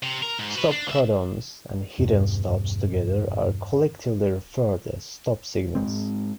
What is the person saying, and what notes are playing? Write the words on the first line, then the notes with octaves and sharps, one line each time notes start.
Stop-codons and hidden stops together are collectively referred as stop-signals.
C3
A#4
G#2
F#4 B4
D4
C#2 E5
A1 E2 G2 B2
G#2 G#3 C4